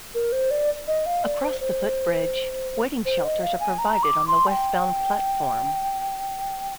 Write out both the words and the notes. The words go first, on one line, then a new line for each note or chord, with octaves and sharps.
Across the footbridge, waiting shelters are provided on the westbound platform.
A#4
C5
D5
D#5
F5
D5
C5
C5
C5
D#5
F5
G#5
A#5
D6
C6
G#5
G5